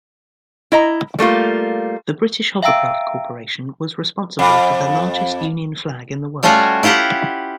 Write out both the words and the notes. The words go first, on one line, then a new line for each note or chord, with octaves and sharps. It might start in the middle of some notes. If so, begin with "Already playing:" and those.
The British Hovercraft Corporation was responsible for the largest Union Flag in the world.
E4 D#5 A#5
G3 A3 A#3 F4
E5 F5 G5 A#5 E6 D7
F2
G3 A3 C#4 F4 F#4 G#5
E4 F4 G4 F#5 A#5